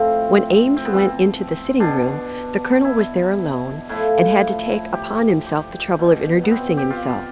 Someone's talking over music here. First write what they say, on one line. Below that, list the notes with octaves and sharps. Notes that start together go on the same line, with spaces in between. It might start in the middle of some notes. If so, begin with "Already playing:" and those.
When Eames went into the sitting-room, the colonel was there alone, and had to take upon himself the trouble of introducing himself.
Already playing: A2 F3 C4
C4
B3
C4
B2 D4
E4
A2 F3 E4
G4
G4
B2
B3
C4
G4
F4